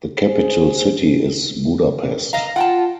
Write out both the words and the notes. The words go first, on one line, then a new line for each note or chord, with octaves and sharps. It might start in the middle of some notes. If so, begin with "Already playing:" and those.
The capital city is Budapest.
G#4 C5
D#5 F5 A#5
F4 F#5 G5 A5